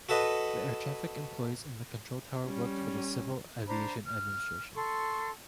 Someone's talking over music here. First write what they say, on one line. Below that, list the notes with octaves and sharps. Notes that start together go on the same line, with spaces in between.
The air traffic employees in the control tower worked for the Civil Aviation Administration.
F#4 A4 B4 D#5
G3 C#4
D4 C5 A#5 B5
F6
A4 C6 C#6